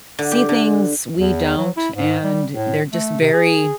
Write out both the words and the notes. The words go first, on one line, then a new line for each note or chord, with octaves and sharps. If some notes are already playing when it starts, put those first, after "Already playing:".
see things we don't, and they're just very
D3
G4
D3
E2
F#3
E4
G#2
G3
A2
A3
C3
G#4